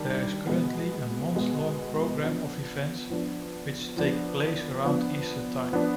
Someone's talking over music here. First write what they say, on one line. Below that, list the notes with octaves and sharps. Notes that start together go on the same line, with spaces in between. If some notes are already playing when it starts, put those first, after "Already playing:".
There is currently a month-long programme of events which take place around Easter time.
Already playing: D#3 G3 D4
B2 G#3 B3
B2 G#3 B3
F3 B3 D4
F3 B3 D4
F3 B3 D4
F3 B3 D4
F3 B3 D4